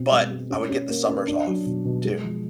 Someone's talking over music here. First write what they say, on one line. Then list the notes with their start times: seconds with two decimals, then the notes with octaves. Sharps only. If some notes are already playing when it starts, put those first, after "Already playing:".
but I would get the summers off, too.
Already playing: B2 C4
0.11 G#3
0.31 G#3
0.50 C#4
0.69 C#4
0.89 A#3
1.08 C#4
1.27 D4
1.47 F#3
1.66 B2
1.85 B2
2.05 G#3
2.24 F3